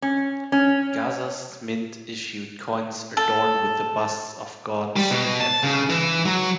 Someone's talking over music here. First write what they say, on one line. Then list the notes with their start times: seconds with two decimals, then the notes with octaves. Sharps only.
Gaza's mint issued coins adorned with the busts of gods and emperors.
0.02 C#4
0.52 C#4
3.17 A4
4.96 G3
5.11 B2
5.40 A5
5.64 C#3
5.90 E3
6.25 F#3